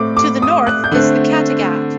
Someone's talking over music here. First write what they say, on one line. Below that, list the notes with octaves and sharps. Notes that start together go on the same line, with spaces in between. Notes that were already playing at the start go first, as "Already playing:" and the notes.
To the north is the Kattegat.
Already playing: A2 A3 C4 D6
D6
D#6
F#6
G6
D3 A3 C4 F#6